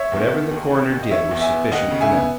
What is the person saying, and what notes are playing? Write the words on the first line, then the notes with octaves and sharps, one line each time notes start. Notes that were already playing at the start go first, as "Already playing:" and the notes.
Whatever the coroner did was sufficient for them.
Already playing: C#5 E5
E2
E2
D#2
E1
D#2
D#5
E3 C#5 E5
E2
E5 G#5
B3
D#2 D#5 F#5
C#3
E5 G#5
B3